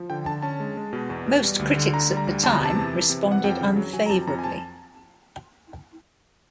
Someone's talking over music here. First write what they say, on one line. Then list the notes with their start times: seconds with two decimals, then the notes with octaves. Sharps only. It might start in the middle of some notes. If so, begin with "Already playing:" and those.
Most critics at the time responded unfavorably.
Already playing: F3
0.10 D3 G5
0.26 D3 A5
0.42 C#4 A5
0.60 G#3
0.77 G#3
0.93 B2
1.10 E2
1.26 B2
1.43 G3
1.59 D2
1.76 D3
1.93 D3 A#5
2.11 G3
2.17 A#5
2.27 D2
2.43 E2 A5
2.53 A#5
2.61 C3 A5
2.76 E3
2.93 E3
3.09 C3
3.26 E3
3.32 F#5
3.44 F2 G5
3.61 C#3
3.76 F#3
3.93 F#3 G#5
4.06 A#5
4.10 F2 A5
4.27 F2 A#5
4.39 G#5
4.44 A5